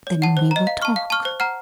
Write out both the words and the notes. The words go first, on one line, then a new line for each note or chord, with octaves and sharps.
Then we will talk.
C#5
F#5 A5
C5
D#5 A#5
F5
A5 C#6 F6
F5
A5 C#6 F6
C5
F#5 A#5 F6